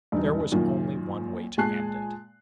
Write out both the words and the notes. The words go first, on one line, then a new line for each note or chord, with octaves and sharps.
There was only one way to end it.
E1 G2 D#4
F#2 A#2 D#3 F4
A#2 G#3 G#5 A5 F#6 C7